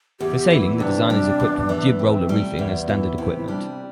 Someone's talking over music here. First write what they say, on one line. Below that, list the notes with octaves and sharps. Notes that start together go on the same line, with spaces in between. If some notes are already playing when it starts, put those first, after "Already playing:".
For sailing the design is equipped with jib roller reefing as standard equipment.
E2 G4
E3 E4
C3 D4
G3
E2
E3
C3 C4
G3 A3
E2 B3
E3 E4 F#4
C3 E4
E4
G3 D4